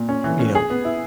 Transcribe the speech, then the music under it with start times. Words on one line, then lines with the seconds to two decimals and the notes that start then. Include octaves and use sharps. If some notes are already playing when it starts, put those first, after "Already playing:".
you know,
Already playing: A#2
0.09 C#4
0.24 E3
0.39 C#4
0.55 G#4
0.70 B3
0.85 E4